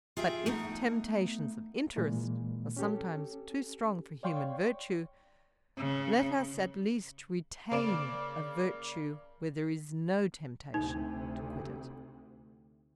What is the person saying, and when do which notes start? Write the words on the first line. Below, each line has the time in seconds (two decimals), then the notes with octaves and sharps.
But if temptations of interest are sometimes too strong for human virtue, let us at least retain a virtue where there is no temptation to quit it.
0.17 F4 G#4 E5 G5
0.46 A3 B3 D#4
1.96 A#2 E3 G#3 A#3
2.77 C#4 G4 A4
4.23 C#5 D5 F5 G5 C6 C#6
5.77 C#3
7.71 C#3 A#3 D5 D7 E7
10.74 D2 C3 D#4